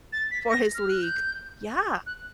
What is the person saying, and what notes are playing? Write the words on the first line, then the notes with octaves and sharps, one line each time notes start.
for his league. Yeah.
A6
B6
A#6
F6
F#6
G6
F#6